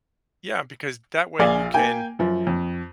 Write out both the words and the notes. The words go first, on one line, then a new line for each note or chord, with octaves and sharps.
Yeah, because that way you can
A#1 A#2 G#4 D5 F5
A#3 G5 G#5
F#2 F3
F2